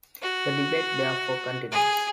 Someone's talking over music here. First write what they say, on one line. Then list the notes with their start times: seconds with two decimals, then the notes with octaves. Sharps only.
The debate therefore continues.
0.22 F#4
1.71 G#4